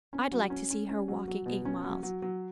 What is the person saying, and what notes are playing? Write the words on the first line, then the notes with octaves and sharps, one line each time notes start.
I'd like to see her walking eight miles.
C#4
F#3
C#4
C#4
C#4
F#3
F#3
B2
C#4
F#3
F#3
F#3